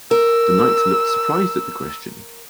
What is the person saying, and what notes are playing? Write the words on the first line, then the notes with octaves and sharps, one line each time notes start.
The Knight looked surprised at the question.
A#4 E6